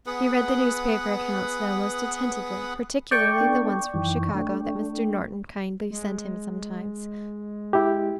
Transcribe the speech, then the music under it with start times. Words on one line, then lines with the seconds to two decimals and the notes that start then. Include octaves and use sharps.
He read the newspaper accounts, though, most attentively, particularly the ones from Chicago that Mr. Norton kindly sent him sometimes.
0.06 B3 G#4 B4 F#5
3.11 A4 D5 G5 A5 C#6
3.41 B3 D4 A4
3.94 F#2 D#3 E3
4.34 A3 D4
5.91 G#3
7.73 E4 G4